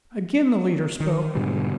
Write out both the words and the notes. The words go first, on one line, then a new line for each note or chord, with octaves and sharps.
Again the leader spoke.
D#3
G#2 B2 D3 G3